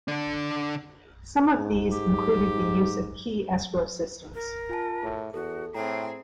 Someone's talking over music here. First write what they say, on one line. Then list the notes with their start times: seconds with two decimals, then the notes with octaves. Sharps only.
Some of these included the use of key escrow systems.
0.08 D3 D4
1.57 G#2
1.91 G4
4.34 A#4
4.69 F4 G#5 A5
5.03 A2 G#4
5.34 E2 F#4 A4
5.74 A2 C4 G#4 G5 A#5